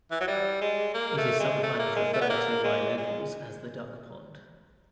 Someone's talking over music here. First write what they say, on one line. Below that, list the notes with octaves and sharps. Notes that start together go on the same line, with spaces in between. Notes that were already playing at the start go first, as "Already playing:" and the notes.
It is sometimes referred to by locals as The Duck Pond.
E3
F#3
G3
G#3
A#3
A3
G#3
A3
A#3
G#3
A3
B3
A#3
G#3
G#3